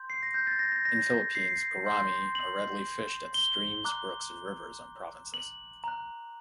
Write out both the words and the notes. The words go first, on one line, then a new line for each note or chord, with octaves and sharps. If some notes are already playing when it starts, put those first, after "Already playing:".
In Philippines, gouramis are readily fished at streams, brooks and rivers on provinces.
Already playing: C6 G6
C7
A#6
G6
A6
A#6
A#6
A#6
C7
C6 G6
F#7
G7
A#5 D6 F#6
F#7
A#5 F#6